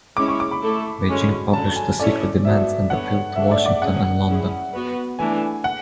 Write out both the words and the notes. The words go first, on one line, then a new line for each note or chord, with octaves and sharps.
Beijing published the secret demands and appealed to Washington and London.
G#3 C#4 E4 D6
C#6
D6
B5
A3 E4 A4
D3 G#3 C#4 F#4
D3 F#3 C#4 A5
G#5
C#4 E4 A4 C#5 D5
F#3 B3 F#4 A4 E5
B3 D4 A4 C#5 F#5
A3 D4 A4 C#5 E5
D5
D5
F#3 C#4 G#4 F#5
C#4 E4 G#4
B3 F#4 B4
E3 A3 D4 G#5
F#5